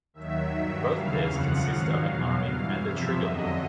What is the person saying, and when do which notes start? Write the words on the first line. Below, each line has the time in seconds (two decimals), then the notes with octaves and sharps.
Both pairs consist of an 'arming' and a 'trigger' loop.
0.14 D#2 D#3 F#3 E5
0.53 G2 D#3 F#3
0.91 D#2 C#3 E3 F5
1.30 F2 C#3 F3 F#5
1.68 G#2 D#3 F#3 F5
2.07 E2 B2 F#3
2.46 G2 E3
2.84 E2 C3 F3 E5
3.22 F2 D3 F#3 D#5